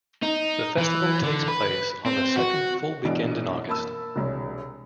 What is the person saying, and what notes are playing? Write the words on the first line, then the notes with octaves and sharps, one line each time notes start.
The festival takes place on the second full weekend in August.
D#4
E3
D3
B4
C4
F#4
E1 B2 E3 D4 D7
A#3 A5 B5 E6
E1 C2 C#5